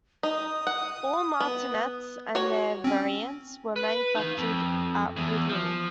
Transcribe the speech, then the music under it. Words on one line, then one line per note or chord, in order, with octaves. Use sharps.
All Martinets and their variants were manufactured at Woodley.
D#4 D#6
F#5
B3
F#4 C#5
C4 C#4
B4
D#4 F5
F2
E2
F3